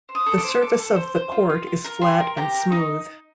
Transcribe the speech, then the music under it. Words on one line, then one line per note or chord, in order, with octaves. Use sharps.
The surface of the court is flat and smooth.
C5
D#6
A4
D6
C5
A4 D6
A4
C5
C5
F4
F4
F4
A#4
G4 C6
A#4
G4 A#5
A#4
D#4